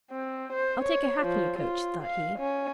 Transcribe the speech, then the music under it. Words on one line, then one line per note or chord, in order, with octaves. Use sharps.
"I'll take a hackney-coach!" thought he.
C4
C5
C#5
F3
F4
F5
C#4